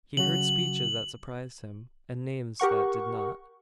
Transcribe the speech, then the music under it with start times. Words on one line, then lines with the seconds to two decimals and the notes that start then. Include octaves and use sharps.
He heard speeches that surprised him, and names that did not.
0.17 C#3 F#3 F#4 F#7
2.60 G4 A#4 F#5 C#6